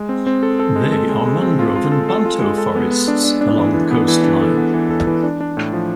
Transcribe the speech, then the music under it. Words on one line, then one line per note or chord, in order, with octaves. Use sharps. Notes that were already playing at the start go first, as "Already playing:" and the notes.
They are mangrove and banto forests along the coastline.
Already playing: G#3
C4
C4
A4
A4
G#3
A4
G#3
G#3
C4
F4
F4
A4
A4
F4
G#3
A4
B3
B3
D4
D4
D4
E3
E3
B3
E3
D4
A4
B3
E3
A4
E3
D4
D4
A2
F3